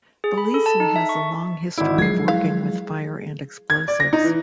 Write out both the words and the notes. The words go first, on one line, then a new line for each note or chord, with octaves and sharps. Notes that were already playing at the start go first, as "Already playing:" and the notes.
Belleci has a long history of working with fire and explosives.
G#4
B5
A4
A5
D#4
E5
C#6
G#1 E4 D5
F3 F#3 G#3 G#4 G#6 C7
E4 F5
G#6
D5
A#6
D#4
E3